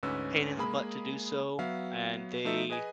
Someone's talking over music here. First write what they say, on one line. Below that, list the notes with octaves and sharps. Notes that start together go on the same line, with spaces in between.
pain in the butt to do so, and they
D2 G#2 C#4 B4 E6
G#3 A#3 G#4 B5
F#3 B3 E5 F5
F3 A3 D#4 A4 E5
G#4 B4 D#5 G#5